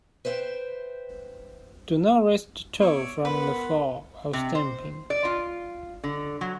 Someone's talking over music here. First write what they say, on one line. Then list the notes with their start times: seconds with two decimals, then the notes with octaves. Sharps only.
Do not raise the toe from the floor while stamping.
0.25 B4 C5 E5 F#5 G5
2.80 B3 C#5 D5 E5
3.25 B3 A#4 B4 F#5 B5 C6
4.33 C3
4.55 C5
5.10 D5
5.25 F4
6.04 D3
6.41 F#3